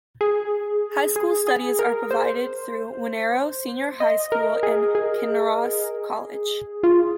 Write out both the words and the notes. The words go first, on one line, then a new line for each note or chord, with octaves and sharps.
High school studies are provided through Wanneroo Senior High School and Kinross College.
G#4
G#4
G#4
A#4
C5
D#5
A#4
G#4
G#4
F4